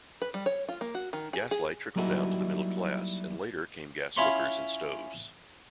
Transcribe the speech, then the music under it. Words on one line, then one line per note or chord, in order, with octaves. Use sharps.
Gaslight trickled down to the middle class and later came gas cookers and stoves.
B4
G3
C#5
F4
A#3
F#4
D#3
G#4
G#4
F#3 G3 A#3 D#4 E4 F#4
C#4 E4 F4 C#5 B5 C6